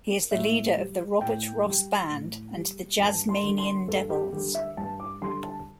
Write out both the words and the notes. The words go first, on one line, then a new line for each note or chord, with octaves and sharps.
He is the leader of the Robert Ross Band and The Jazz-Manian Devils.
A2 E5
G3
A2 G5
G3
A2
G3
G2 A5
C6
D3 G3
C6
G2 A4
G4
D3 G3 G4
E5
G2 A5
D6
D3 G3 C6
A5